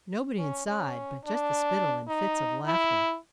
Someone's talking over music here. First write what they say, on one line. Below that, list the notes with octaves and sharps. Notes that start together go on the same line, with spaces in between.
Nobody inside; but just the spittle in fits of laughter!
C#4
C#4
D4
D#4
E4